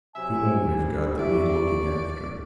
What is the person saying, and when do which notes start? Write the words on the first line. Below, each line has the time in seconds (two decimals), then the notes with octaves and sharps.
"Two men we've got that need looking after."
0.16 C3 F#3 E5 G#5
0.77 G2
1.19 E4 G4 D5 E5 C#6